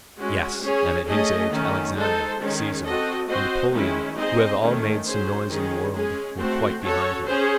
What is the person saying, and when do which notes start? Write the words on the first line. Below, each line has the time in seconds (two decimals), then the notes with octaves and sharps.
"Yes, and at his age, Alexander, Caesar, and Napoleon, who have all made some noise in the world, were quite behind him."
0.17 G#3 C#4 F#4
0.62 C#4 G#4 C#5
1.06 A3 C#4 G#4 D#5
1.50 D#3 A3 C#4
1.95 G#3 D#4 A4 C5
2.39 D#3 G#3 C#4
2.83 C4 F#4 A4 D#5
3.28 C4 F#4 C5 D#5
3.72 D#3 G#3 C#4 E4
4.16 C4 D#4 G#4 C5 D#5
4.60 D#3 A3 C#4
5.05 F#3 C#4 G#4 C5
5.49 D#3 G#3 C#4 G#4
5.93 G#3 C#4 G#4
6.38 A3 C4 F#4 C5
6.82 C#4 F#4 A4 C#5
7.26 C#4 G#4 C5